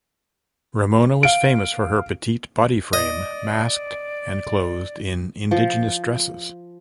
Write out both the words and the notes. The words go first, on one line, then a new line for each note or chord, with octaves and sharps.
Ramona was famous for her petite body frame masked and clothed in indigenous dresses.
F5 D7
D5 D#5
F3